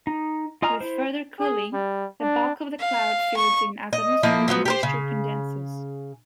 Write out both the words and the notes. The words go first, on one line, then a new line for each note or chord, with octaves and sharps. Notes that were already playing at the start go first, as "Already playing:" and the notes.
With further cooling, the bulk of the cloud fills in as atmospheric moisture condenses.
D#4
F4 D#5 G#5 A#5 F6
E4 C5
G#4
G3
D4
F5
C#6
D#5
F3 A#3 E4 D#5
D3 F3 F#3 B3
G4 A#4 C5
C#3